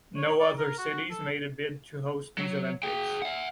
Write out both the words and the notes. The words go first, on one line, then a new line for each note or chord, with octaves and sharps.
No other cities made a bid to host these Olympics.
C#5
D5
A#4
F#4
A4
F#3
G#4 G5
E5 F#5